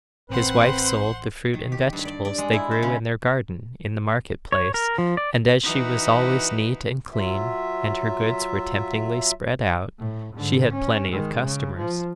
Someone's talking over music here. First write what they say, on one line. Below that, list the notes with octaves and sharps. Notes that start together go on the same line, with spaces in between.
His wife sold the fruit and vegetables they grew in their garden in the Market Place, and as she was always neat and clean and her goods were temptingly spread out she had plenty of customers.
A1 C4 B4 C5 F#5 C6
D#3
G4
G2
D5
D5
G#3
E4
C5
C#3
C#5
A#4
F3
D5
E3 D#4 F#4 B4
F#3 F4 E5
A2
G#2 D3
C#4
D#3 G#3
C#3
F3